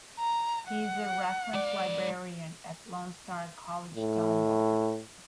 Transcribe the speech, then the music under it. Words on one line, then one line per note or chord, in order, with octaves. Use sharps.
He is a reference librarian at Lone Star College-Tomball.
A#5
F#5
G#2 D5
A2